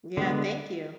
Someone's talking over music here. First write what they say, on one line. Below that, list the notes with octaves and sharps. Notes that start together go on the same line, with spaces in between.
Yeah, thank you,
D3 G#3 B3